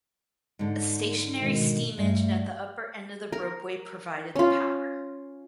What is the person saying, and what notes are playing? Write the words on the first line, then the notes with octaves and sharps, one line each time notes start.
A stationary steam engine at the upper end of the ropeway provided the power.
G#2 D3
B2 D#3 G#3
G2 A3
A#4
C#4 F4